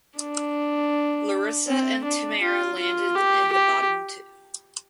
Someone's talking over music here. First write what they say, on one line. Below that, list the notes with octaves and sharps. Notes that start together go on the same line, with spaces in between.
Larissa and Tamara landed in the bottom two.
D4
C4
D4
F4
F4
G4
G4